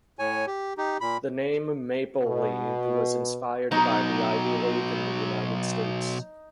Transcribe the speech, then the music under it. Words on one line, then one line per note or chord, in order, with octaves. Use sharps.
The name "Maple League" was inspired by the Ivy League in the United States.
A2 C#5 G#5
G4
D#4 G4
A#2 B5
B2
B2 F#3 D#4 D#5